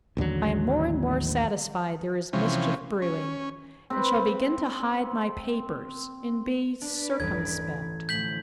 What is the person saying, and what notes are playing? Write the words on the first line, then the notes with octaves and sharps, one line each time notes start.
I am more and more satisfied there is mischief brewing; and shall begin to hide my papers, and be circumspect.
A1 D#2 D3 F#3
C3 E3 F3 C#4
C#4
C4 B4
D4 B4 D5
D#1 A1 G2 G#6
A2 D3 F3 G6 B6 F#7